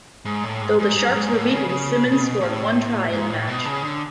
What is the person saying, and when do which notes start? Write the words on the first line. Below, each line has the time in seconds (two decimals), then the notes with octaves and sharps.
Though the Sharks were beaten, Simmons scored one try in the match.
0.25 G#2
0.43 A2
0.62 G#2
0.79 G#2
0.96 G#2
1.07 F#2
1.15 G#2
1.33 A2
1.50 C#3
1.69 C#3
2.04 B2
2.12 C#3
2.20 B2
2.40 A2
3.12 G#2
3.30 A2
3.47 B2
3.65 C#3
3.83 D3